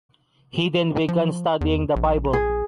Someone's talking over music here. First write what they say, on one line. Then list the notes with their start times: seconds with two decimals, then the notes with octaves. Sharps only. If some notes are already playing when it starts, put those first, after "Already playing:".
He then began studying the bible.
1.08 F3
1.61 E2
1.96 A#1
2.33 G#4